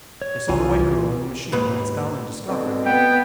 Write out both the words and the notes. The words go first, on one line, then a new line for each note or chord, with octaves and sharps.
They saw the white girl in the machine glance down and discover him.
C#5
C2 E3 F4 G#5
D#3
D#2 G#2 B4
B2 D3 C4
B3 G5